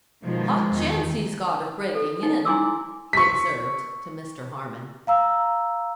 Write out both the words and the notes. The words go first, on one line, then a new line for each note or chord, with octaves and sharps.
"Hot chance he's got of breaking in," he observed to Mr. Harmon.
B2 D#3 F3 G#3
E2 D#3
A4
D#4
E4 G#5 C6 D6 E6
C#6 B6
F5 A#5 E6